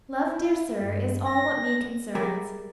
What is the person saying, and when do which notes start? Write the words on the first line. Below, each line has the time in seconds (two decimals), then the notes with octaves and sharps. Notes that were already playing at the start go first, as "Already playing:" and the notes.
Love, dear sir, is all what me concerns.
0.24 E4
0.78 G2
1.25 A#6
2.15 G3 G#4 A#4 D5 E5 G5